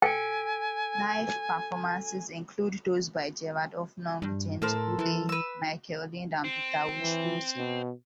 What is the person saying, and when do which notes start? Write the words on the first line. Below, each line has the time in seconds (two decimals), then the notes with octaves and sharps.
Live performances include those by Gerard Hoffnung, James Gourlay, Michael Lind, and Peter Whish-Wilson.
0.02 A4 G5 G#5 B6 D7
4.22 G2
4.62 A2 A4 A#4 C5
4.99 E3
5.29 B4 E6
6.44 C4
7.00 E3
7.57 B2